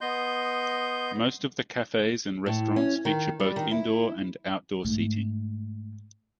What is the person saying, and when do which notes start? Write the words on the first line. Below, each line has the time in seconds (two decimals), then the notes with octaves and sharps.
Most of the cafes and restaurants feature both indoor and outdoor seating.
0.01 B3 D#5 C6 G6
2.46 A2
2.76 C#4
3.05 D#3
3.40 G3
3.56 D#3
3.71 E4
4.84 G#2 A3